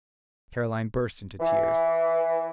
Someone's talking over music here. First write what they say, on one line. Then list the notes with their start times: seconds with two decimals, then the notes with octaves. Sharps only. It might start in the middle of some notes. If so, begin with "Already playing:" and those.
Caroline burst into tears.
1.40 E3